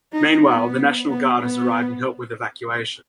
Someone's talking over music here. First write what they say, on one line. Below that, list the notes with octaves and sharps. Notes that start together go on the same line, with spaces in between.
Meanwhile, the National Guard has arrived and helped with evacuation.
D#4
B3
B3
B3